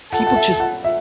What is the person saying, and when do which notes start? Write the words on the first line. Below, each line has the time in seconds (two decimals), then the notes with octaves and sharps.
people just
0.12 A4 F#5
0.20 A5
0.27 F#5
0.36 E5
0.60 F#5
0.84 E5